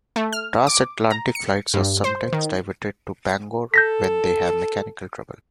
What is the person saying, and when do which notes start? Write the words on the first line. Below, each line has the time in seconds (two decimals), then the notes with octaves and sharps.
Transatlantic flights are sometimes diverted to Bangor when they have mechanical trouble.
0.16 A3
0.32 F6
0.67 D6
1.10 A#5
1.35 C#7
1.74 G2
2.04 C5
2.33 D#3
3.74 A4 G6 A#6 B6